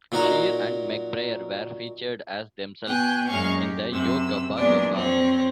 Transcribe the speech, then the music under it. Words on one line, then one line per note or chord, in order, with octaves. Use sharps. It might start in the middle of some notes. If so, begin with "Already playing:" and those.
Scheer and McBrayer were featured as themselves in the Yo Gabba Gabba!
A#2 F#3 D#4 F#4 A#4
B2 G5 G#5 F#6 G6
F#2 A#2 G#3 C#4 F5 C#6
G4
F#2 C3 E6
E2 A#2 F#3 G#3 D4 D5
F2 C4 C#5